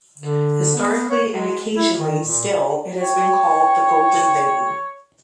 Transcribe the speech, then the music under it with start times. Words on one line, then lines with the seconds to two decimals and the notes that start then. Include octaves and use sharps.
Historically, and occasionally still, it has been called the Golden Vein.
0.17 D3
0.76 B3
1.10 C#5
1.30 G#3
1.75 E4
1.94 D#3
2.25 A#2
3.00 C#5 G5